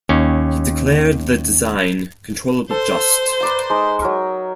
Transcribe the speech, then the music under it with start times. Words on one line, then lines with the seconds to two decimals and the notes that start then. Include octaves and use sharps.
He declared the design controllable-just.
0.09 D#2 C#4
2.71 A4 C5
3.41 B4 D5 A#5
3.70 G#3 D#4
4.02 F#3 A#4